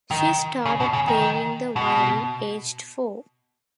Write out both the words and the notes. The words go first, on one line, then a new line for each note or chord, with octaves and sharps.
She started playing the violin aged four.
D#3
C#3
B2
C#3
D#3
B2